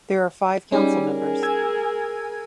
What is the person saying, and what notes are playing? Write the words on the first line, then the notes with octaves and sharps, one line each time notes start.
There are five council members.
G3 C#4 D#4 G#4
G#4 A#4
G#5 E6 G#6